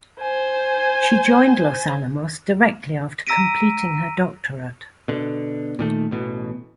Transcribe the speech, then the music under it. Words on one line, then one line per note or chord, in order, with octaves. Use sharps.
She joined Los Alamos directly after completing her doctorate.
C5 G#5
A#5 E6 A#6 B6 D7 D#7
B2 D3
A#2 D#3 A3
A1 B2 E3